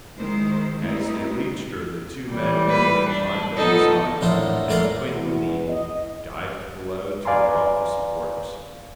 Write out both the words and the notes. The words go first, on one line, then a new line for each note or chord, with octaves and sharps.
As they reached her the two men nimbly climbed up the side and, Quinton leading, dived below to the office of works.
D#3 G#3 E4 C5
G3 A3 C4 D#4 E4
E3 G3
B4
D4
F3 B3 D#4 A4 D#5
A#1 E2 A2 D#4 F4 A4
A2 A3 A4 A#4 D5 F5
E2
D#5
B4 D5 F5 G#5 A#5 C6